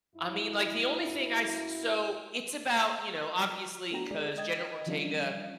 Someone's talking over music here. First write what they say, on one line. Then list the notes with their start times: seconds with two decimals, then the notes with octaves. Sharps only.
I mean, like, the only thing I s so, it's about, you know, obviously, 'cause Jenna Ortega
0.16 F#2 E4
3.91 A3 B3 D4 F#4 G5 A#5
4.11 G#3 G#4 D5
4.38 D#5 G5 G#6 A6
4.86 E3 F3 G3 C#4 D4 F4